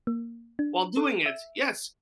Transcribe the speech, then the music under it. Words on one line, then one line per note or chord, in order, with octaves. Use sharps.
while doing it yes,
A#3
D4
A4
E5